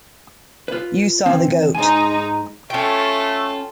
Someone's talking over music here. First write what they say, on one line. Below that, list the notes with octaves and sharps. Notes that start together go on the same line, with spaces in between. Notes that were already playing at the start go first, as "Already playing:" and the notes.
You saw the goat.
F4 B4
E3 C4
G#2 G#3 D#4 G#5
A3 C#4 F4 A4 G5